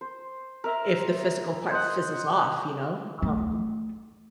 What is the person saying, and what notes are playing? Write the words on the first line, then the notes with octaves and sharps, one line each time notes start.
if the physical part fizzles off, you know, um
C5
A#4 E5
C5 D#5 F#5
A3